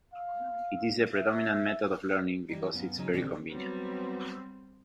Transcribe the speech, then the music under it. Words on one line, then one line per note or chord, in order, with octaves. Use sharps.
It is the predominant method of learning, because it is very convenient.
F5
E5
E3 G3 D#4
F#2 B3 F5
C#3 F#3 D#4
B2 D3 E3 G3 C4
F#3 G3 B3 C4